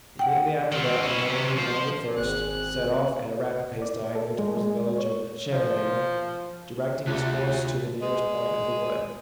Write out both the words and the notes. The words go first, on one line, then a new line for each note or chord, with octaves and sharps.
Immediately after that, the man who had landed first, set off at a rapid pace diagonally towards the village of Scheveningen, directing his course to the nearest point of the wood.
F#5 G5
D#3 C4
C#4 E4
C3 C#4
F3 C5
G#1 C4 G#4 F#6
D5
A4
G#3
G#3
C#5
F3
D2 C3 A3 F4 F#6
G#3